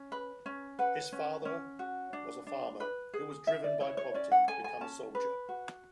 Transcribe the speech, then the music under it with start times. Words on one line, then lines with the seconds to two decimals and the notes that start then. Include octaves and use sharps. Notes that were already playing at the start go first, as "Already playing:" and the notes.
His father was a farmer who was driven by poverty to become a soldier.
Already playing: C#4
0.12 B4
0.46 C#4
0.79 B4 F#5
1.12 C#4
1.45 C#4
1.79 F#4
2.13 D4
2.47 D4
2.80 B4
3.14 G#4
3.47 E4 E5
3.64 D5
3.80 E4 C#5
3.97 C#5
4.14 C#4 D5
4.32 F#5
4.48 A4 G#5
4.64 G#5
4.81 C#4 A5
5.15 B4
5.49 F#4